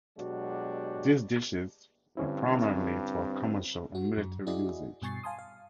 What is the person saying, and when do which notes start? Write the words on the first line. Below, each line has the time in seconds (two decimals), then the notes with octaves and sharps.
These dishes were primarily for commercial and military usage.
0.18 B2 F#3 G#3 D4 F#4 G4
2.17 G2 D3 C4 C#4 E4
3.95 F#4
4.17 F#2
4.47 E4 F#4 G#4 D5 D#5
5.02 G2 B2 G#5 C#6 A6 C7
5.23 F5 G#5 A5 C6 D#6
5.39 F5